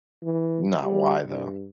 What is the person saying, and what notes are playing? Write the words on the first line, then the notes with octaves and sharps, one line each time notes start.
Not why though
E3
G3
G2